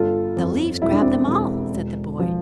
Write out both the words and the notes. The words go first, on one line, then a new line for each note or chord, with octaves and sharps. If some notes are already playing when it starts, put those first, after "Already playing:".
"The leaves grabbed them all," said the boy.
Already playing: G1 F4 A4
F2
E1 E4
D4
C4 E4
E1
E1
F3